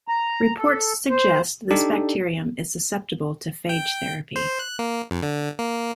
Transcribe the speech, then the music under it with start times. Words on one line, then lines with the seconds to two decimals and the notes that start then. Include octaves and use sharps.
Reports suggest this bacterium is susceptible to phage therapy.
0.08 A#5
0.57 A4
1.10 C5
1.71 D4 D#4 G4 A4 D5
3.69 G5
4.36 C5
4.59 F#6
4.79 A#3
5.11 F2
5.23 D3
5.59 A#3